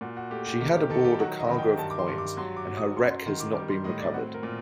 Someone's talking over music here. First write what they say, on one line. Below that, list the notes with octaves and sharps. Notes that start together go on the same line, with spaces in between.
She had aboard a cargo of coins, and her wreck has not been recovered.
A#2 F#4
F#4
A3 G4
G4
D#3 G4
G4
D#3 A4
G4
F#3 F#4
D#5
D#3
G5
G2 A5
D6
C6
G2
D6
F#3 C6
D6
F#3
D#6
F#2 C6
C6
D#3 C6
D6
G3 D6
C6
A2 D#5
D5
C4 F#4
A#4
A#2